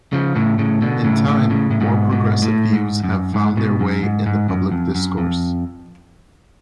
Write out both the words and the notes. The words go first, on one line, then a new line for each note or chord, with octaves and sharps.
In time, more progressive views have found their way in the public discourse.
C#3 F3
A2 C#3
A2 C#3
B2 D3
A2 C#3
A2 C#3
A2 C#3
A2
G#2 B2
G#2 B2
A2
G#2
F#2
G#2
G#2 B2
F#2
G#2
G#2
F#2
F2
F#2
F2